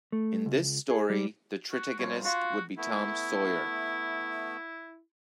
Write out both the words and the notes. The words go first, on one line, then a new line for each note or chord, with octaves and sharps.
In this story the tritagonist would be Tom Sawyer.
A3
C#2
G#4
G3
F#4
G2 F3 C#5
F4 F#4
A3 B3 E4